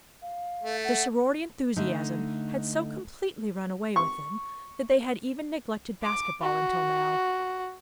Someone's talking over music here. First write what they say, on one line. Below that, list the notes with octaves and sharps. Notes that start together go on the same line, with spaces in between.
Their sorority enthusiasm had so completely run away with them that they had even neglected basketball until now.
F5
A3
F#5
D3 A3 D#4
C#6
D6
F#4